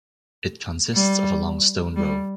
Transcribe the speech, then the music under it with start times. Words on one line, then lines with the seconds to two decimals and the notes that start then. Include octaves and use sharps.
It consists of a long stone row.
0.94 G3
1.96 G3